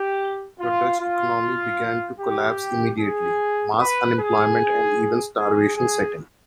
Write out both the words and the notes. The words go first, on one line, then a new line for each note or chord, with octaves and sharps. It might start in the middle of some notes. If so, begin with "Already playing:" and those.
The Dutch economy began to collapse immediately: mass unemployment and even starvation set in.
Already playing: G4
F4
F4
G4
G#4
B4
G#4
G#4
G#4